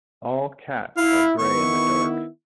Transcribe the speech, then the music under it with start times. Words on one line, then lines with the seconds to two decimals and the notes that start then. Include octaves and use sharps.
All cats are grey in the dark.
0.97 E4 F5
1.39 D#3 B3 E4 C#6